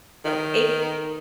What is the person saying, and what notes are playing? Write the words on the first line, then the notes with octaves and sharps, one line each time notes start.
So a
D#3